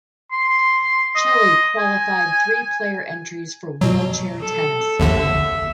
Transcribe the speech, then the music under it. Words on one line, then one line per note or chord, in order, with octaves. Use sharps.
Chile qualified three player entries for wheelchair tennis.
C6
D#5
G#5
B2 F#3
A4
A#1 D#2 D3 E5